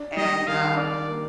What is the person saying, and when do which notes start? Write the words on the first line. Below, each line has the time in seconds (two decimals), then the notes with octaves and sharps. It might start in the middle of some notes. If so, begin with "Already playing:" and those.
and um
Already playing: D4
0.17 G3 D#5
0.47 D#3 F5
0.77 D4 D5
1.08 A#3